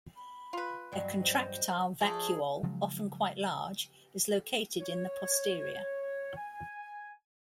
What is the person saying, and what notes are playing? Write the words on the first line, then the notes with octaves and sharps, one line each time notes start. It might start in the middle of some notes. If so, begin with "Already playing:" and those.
A contractile vacuole, often quite large, is located in the posterior.
B5
F4 B4
E2 G2 F#3 D#5
C5
F3 A3 G#4 D5 A5
C#3 F3 F#3 G#3
C#5
G#5